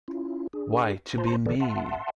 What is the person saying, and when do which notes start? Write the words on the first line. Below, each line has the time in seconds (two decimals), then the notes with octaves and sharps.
Why to be me?!
0.08 C#4 E4 F4
0.53 D4 G#4
1.18 F4 C5 A5 A#5 C6
1.46 D3 E3 B3 A4 B4 D5
1.60 E5 F#5 A5 C6